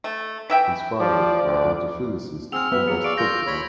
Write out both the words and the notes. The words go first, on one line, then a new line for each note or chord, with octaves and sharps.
His father was the physicist August Toepler.
A3
E3 E5 G5
F3 D5
D2
C4 G#4 F#5 E6 F6 F7
B3 E5
F#3 A#3 G#4
D5 F5 C#6 D7
F4 G6 A#6
D#2 C#5 B5